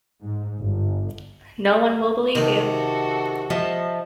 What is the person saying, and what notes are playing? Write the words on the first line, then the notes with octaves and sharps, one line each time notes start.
No one will believe you.
G#2
G1
C3 D#3 D#4 F#4 A4
F3 D#5 E5 A5